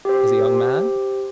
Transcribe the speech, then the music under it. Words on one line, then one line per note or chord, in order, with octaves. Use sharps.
"As a young man?"
G4 C5